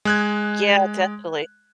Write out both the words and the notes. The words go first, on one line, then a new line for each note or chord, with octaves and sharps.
Yeah. Definitely.
G#3 F#6 G#6